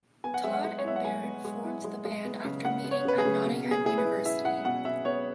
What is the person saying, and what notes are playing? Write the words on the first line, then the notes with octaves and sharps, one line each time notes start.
Todd and Baron formed the band after meeting at Nottingham University.
B3 G#5
F#5
G#3 E5
F#5
G#3
C#5
E4 E5
F#5
G#3 G#5
B3
G#3
E4
G#3
G#3
B3
C#3
C#3 F#5
B3
C#5
C#3 B4
G#4
C#3
B2
B3
G#4
E4 G#4
B4
E4
E4 E5
E4 F#5
B2 F#5
B2 E5
B3 C#5